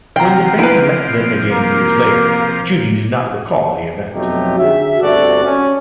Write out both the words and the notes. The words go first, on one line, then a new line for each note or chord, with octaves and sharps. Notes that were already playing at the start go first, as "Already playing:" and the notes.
When the band met them again years later, Judy did not recall the event.
C3 F3 F#5 G5 A#5
E4 B4 D7
A#3 A#4
F2 B2 F#3 A3 D#4 G4
D3 F#4 G#4 E5
G1 D2 C3 F#4 A4 D5
C#4